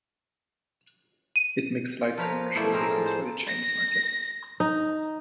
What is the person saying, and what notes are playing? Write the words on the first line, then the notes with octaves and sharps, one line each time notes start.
It makes Light commercial vehicles for the Chinese market.
D#7
F4
F3 A#4 B4 C#5 F5
B2 F3 A3 E4 C5 D5
A2 G#3 C4 A#4 C5
F4
C5
A#6
D#4